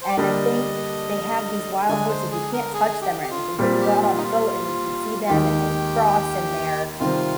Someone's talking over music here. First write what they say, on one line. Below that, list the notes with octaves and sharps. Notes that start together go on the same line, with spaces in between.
and I think they have these wild horses you can't touch them or anything, but you go out on a boat, and you can see them, and they cross, and they're,
C5
D5
D3 G3 A#3 D4 D#5
D3 G#3 D4 G#5
C5
G#4
A#4
G#4
G4
G4
F4
A#2 G3 C4
G4
F4
D#4
F4
F4
D#2 D#3 G#3 D#4 G4
C3 D#3 G3 C4 F4